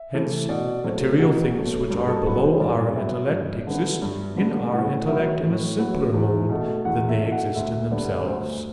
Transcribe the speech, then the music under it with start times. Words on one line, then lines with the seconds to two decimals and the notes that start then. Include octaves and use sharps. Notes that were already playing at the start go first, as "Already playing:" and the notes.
Hence material things which are below our intellect exist in our intellect in a simpler mode than they exist in themselves.
Already playing: E5
0.14 E3 A3
0.49 B2 D5
0.84 F#3 A3 C5
1.19 B2 F#4
1.54 F#3 A3
1.90 G2 G4
2.01 B4
2.08 A4
2.26 F#3 B3 B4
2.43 C5
2.61 G2 D5
2.96 F#3 B3 E5
3.32 G2
3.67 D3 G3 B3
4.02 G2
4.37 D3 G3 B3
4.73 A2 F#5
5.08 F#3 B3 E5
5.43 A2
5.78 F#3 B3
6.14 E2
6.49 B2 A3
6.85 E2 F#5
7.09 E5
7.19 B2 A3
7.32 F#5
7.55 D2 E5
7.91 D3 G3 B3
8.25 D2 C5